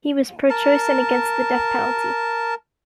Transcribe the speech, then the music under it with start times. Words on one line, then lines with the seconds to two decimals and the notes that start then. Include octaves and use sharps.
He was pro-choice and against the death penalty.
0.50 A#4 A5